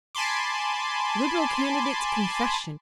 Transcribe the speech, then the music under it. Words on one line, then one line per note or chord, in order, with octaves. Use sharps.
Liberal Candidate's Confession.
G#5 A5 B5 C6 D6